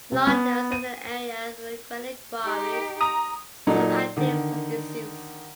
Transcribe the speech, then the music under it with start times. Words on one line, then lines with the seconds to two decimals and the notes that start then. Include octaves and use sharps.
Longdowns is in an area of granite quarries, some active some disused.
0.12 C3
0.27 B3
0.72 D#7
2.44 D#4 G4
3.01 A#5 D#6
3.67 A#2 F#3 D#4 A4
4.17 D3 D#3